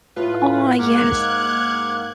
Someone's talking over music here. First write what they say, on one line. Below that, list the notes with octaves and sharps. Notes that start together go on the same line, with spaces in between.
Oh, yes
A2 F4 B4
G#2 A#3 F#5 D6 F6 F#6 G#6